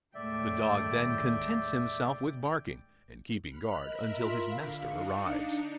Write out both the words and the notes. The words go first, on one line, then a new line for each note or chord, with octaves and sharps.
The dog then contents himself with barking and keeping guard until his master arrives.
D#2 A2 G#3 A3 D5 E5 G5
B5 F6 F#6
A#4 D#5 E5 B5
F4
D3 F5
D4 D#4 C#7